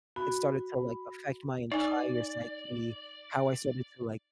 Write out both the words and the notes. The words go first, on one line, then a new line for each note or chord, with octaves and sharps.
it started to, like, affect my entire psyche, how I started to, like,
F#4 B5
D#4 D5 G#5